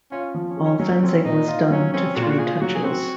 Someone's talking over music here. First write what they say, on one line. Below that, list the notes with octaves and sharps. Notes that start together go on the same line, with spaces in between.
All fencing was done to three touches.
C#4 F4
F3
C4
C#4
G#4
C#4
F#3 C#4
C4 C#4
A#2 D#4
F4
F#3 C#4
C4 C#4
A#2 F#4
F4
F#4
F4 G#4
F#3 F#4
G#4
C4 F#4